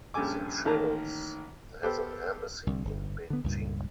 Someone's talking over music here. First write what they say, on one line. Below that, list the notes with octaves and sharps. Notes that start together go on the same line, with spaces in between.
Seychelles has an embassy in Beijing.
A#1 G2 C#4 A4 G#5 D6
A1 D#3 A#3 A5 A#5
B3 G4 A4 C5
C2 D3
G1
D3 B3
C#2 G2 A#2